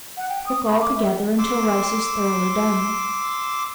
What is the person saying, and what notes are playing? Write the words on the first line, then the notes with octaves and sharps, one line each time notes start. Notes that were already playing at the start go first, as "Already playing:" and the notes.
Cook all together until rice is thoroughly done.
F#5
G5
D#6
B5
D6
E5
C6 D6 E6